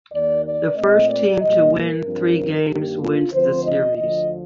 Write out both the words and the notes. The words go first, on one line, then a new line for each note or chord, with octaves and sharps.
The first team to win three games wins the series.
D#2 D#3 A#3 D5
D5
A#2 A3 C4 D#5
D5
A#2 G3 A#3 D#5
A#4
G2 F3 C4
G2 D#3 A#3 G4
F4
D2 D3 F3 C4 C5
D#5
D2 D3 F3 D#5